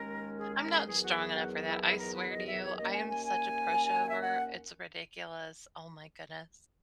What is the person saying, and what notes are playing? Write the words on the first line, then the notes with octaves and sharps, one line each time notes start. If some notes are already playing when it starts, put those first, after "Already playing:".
I'm not strong enough for that. I swear to you, I am such a pushover. It's ridiculous. Oh my goodness.
Already playing: D#2 D#3 G#3 C#4 A#4
G#4
A#4
G#4
E2 D#3 F#3 B3 G#4
F#4
G#4
F#4
E4
E4
A#4
B4
D#5
E5
C#5
D#2 D#3 A#3 C#4 D#5
G#5
G#5
G#5
E5
F#5